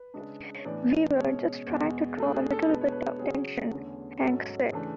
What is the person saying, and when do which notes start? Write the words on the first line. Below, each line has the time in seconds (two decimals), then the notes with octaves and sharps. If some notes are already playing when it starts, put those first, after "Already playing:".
"We were just trying to draw a little bit of attention," Hank said.
Already playing: B4
0.14 C#3 G#3 D4
0.55 C#5
0.64 A2 E3 B3 D4 D5
1.16 B2 G#3 C#4 C#5
1.67 E2 B2 G#3
2.17 B2 A3 D4 A4
2.34 G#4
2.51 A4
2.69 B2 G#3 B3 D4 B4
2.81 C#5
2.92 B4
3.19 C#3 F#3 C#4 G#4
3.71 E2 D3 A3 C#4
4.22 G#2 F#3 C#4 A4
4.72 C#3 E3 A3 D4